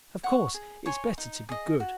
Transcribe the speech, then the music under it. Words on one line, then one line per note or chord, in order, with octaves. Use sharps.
Of course it's better to be good.
C#5 F#5 C#6
G#4
C#5 G#5 C6
D#4
G#4 D#5
F#4